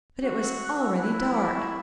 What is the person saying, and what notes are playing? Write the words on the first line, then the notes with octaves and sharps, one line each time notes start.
But it was already dark.
F#4
E6
F#6
E4 E6
F#6
E6
D6
C#6